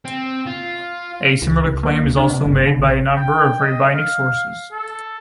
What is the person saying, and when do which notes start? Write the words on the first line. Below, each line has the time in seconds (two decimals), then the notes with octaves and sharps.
A similar claim is also made by a number of Rabbinic sources.
0.05 C4
0.47 F4
1.42 C#2
1.65 C#2
1.83 A#3
2.05 D2
2.17 D4
2.30 C3
2.45 G1
2.67 D3
2.80 A#1
3.16 G5
3.60 D#5
3.92 F5
4.72 A4